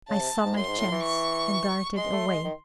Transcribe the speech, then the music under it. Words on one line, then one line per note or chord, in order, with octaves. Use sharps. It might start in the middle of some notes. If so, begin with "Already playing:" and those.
I saw my chance, and darted away.
C#3 A5
C3
G#2
F#2 C6
G#2
A2
E3
C#6
G#3 C6
A3
G#3
D#3